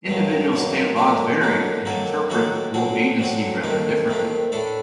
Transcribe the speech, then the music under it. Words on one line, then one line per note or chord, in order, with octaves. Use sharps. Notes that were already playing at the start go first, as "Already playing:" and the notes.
Individual state laws vary and interpret dual agency rather differently.
G2 D#3 F#3
G2 D#3 F#3
D3 F#3 A#3 D#4
D3 F#3 A#3 D#4
D#3 F#3 A#3 F#4 A4
D#3 F#3 A#3 F#4 A4
D3 F#3 C4 F#4
D3 F#3 C4 F#4
D#2 D#3 A3 C4
D#2 D#3 A3 C4
A2 A3 D4 A4